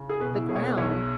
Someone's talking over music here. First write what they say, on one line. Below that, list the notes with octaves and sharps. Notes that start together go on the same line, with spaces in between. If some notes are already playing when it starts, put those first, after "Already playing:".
the ground.
Already playing: C#3
G#4
B2 B4
E4
B2 G#4
C#5
B4
B1 C#5